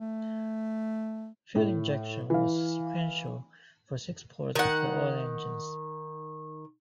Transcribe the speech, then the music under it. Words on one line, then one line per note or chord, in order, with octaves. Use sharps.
Fuel injection was sequential for six ports for all engines.
A3
A2
E3 F5
D#3 F#5